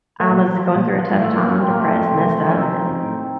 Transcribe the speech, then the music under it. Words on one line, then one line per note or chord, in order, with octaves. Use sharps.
I was going through a tough time, depressed, messed up, and
A3
A#2 F#3
F3
A#2
F3
A2 F3 A3
F#3 A#3
F3
C#4
C4
A2 A#3
A3 C4
F3
C3
F3
C#4
C3 C4 D#4
F3
A2